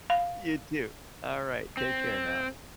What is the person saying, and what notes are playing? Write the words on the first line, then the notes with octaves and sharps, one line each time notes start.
you too, alright, take care now.
F5
C4